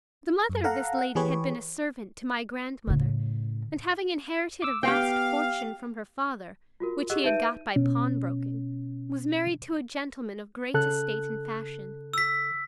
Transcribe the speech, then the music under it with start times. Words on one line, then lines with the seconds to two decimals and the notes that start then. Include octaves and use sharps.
The mother of this lady had been a servant to my grand-mother; and, having inherited a vast fortune from her father, which he had got by pawnbroking, was married to a gentleman of great estate and fashion.
0.50 F#2
0.64 A4 F5 F#5 A#5
0.99 F#5
1.15 E3 G4 G#4 B4 C#5
2.87 A2 C#3
4.62 D6 E6
4.83 B3 G4 F5 G5
6.80 F4 F#4 A#4
7.10 G4 G#4 D#5 F#5 E6 F#6
7.24 D#4 B4 E5 G6 D7 D#7
7.76 B2 C#4
10.74 C#3 A4 F#6
12.13 E6 B6